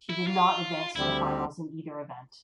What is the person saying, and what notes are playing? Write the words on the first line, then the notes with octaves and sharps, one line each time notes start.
She did not advance to the finals in either event.
E4
F4
D2 D3 G3 C4 E4 G4